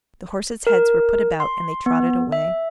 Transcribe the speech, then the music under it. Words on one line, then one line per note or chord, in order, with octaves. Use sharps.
The horses' heads were put about, and they trotted away.
A#4
C6
B3
E5